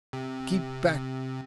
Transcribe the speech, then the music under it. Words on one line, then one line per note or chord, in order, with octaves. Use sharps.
'Keep back!
C3